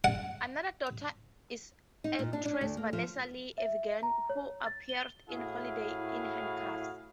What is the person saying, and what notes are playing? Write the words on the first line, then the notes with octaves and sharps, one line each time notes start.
Another daughter is actress Vanessa Lee Evigan, who appeared in "Holiday in Handcuffs".
F#5
D#4
A#2
D4
D4
D2
A#3
F3
E5
A#5
C#5
A6
G7
A2 E4 F#4 G#4 F5